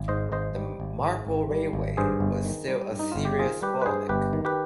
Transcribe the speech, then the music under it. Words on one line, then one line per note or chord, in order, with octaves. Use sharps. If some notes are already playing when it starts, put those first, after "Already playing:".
The Marple railway was still a serious bottleneck.
Already playing: G#1
G#2 C5 D#5
G#1 C5 D#5
G3
G#1
G#2
G#1
G3
G#1
G2 G#4 C5
G1
D#3
G3
G2
D#4
G1 F4
G4
D#3 F4 G#4
G3 G4 B4
B4
G2 G#4 C5
G1 G4 B4
D#3
G4 B4